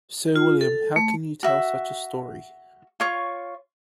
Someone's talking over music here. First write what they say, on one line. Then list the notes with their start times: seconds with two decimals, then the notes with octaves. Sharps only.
Sir William, how can you tell such a story?
0.36 F4
0.61 A4
0.96 A3
1.43 F#4 E5
3.00 F4 C#5 C#6